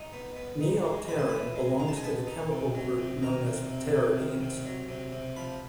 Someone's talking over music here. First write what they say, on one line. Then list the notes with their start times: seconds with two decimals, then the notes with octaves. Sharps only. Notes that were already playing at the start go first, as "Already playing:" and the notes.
Neopterin belongs to the chemical group known as pteridines.
Already playing: D#4
0.13 B3
0.36 B3
0.61 D#4
0.84 G#3
1.08 E3 B5
1.19 C6
1.29 E3 B5
1.56 G#3
1.79 G#3 A#5
1.88 A5
1.96 G#5
2.03 B3 A5
2.27 D#4
2.51 C3
2.75 F#3
2.98 C3
3.22 D#3 A#5
3.46 C3
3.70 C3
3.94 C3
4.17 D#3
4.41 C3
4.65 F#3
4.89 C3
5.12 C3
5.36 F3 B5